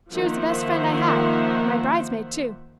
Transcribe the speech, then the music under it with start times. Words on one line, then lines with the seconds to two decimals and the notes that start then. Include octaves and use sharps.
She was the best friend I had,--my bridesmaid, too.
0.13 D#3 F3 A#3 C5 E5 F#5